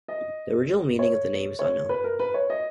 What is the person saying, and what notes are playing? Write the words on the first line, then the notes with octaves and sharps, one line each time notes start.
The original meaning of the name is unknown.
D#5
C#5
C#5
B4
A#4
B4
C#5
D#5